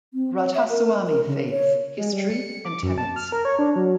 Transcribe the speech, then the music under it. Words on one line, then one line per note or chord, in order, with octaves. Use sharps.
"Radhasoami Faith - History and Tenets".
C4
C#5
E5
A#4
A#4
C#3
C#5
G#3
G3
C#7
D6
F#2
A5
F6
A#4
C#5
D4
F#3